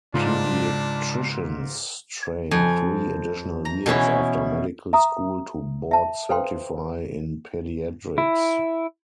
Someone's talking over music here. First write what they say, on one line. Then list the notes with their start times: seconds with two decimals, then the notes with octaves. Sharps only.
Pediatricians train three additional years after medical school to board-certify in Pediatrics.
0.14 G#2 C#3 G#3 D4 D#4 F4
2.51 F2 G#5
3.65 A#5
3.86 B2 E3 C#4 E4
4.93 E5 A#5 D#6
5.91 E5 A5
6.29 A4 B4 C5 F5 G5 C6
8.18 E4